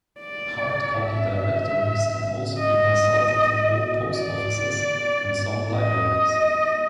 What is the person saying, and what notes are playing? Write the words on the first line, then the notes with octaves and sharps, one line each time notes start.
Hard-copy directories can also be consulted in all post offices, and some libraries.
D5
E5
D#5
D5
D#5